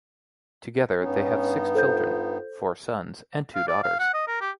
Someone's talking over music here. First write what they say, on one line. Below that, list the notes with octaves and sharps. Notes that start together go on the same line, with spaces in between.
Together, they have six children; Four sons and two daughters.
G2 B3 C#4 D#4
F4 A4 C5 G6
F5
D5
F5
F#5
D#5
A#4
G4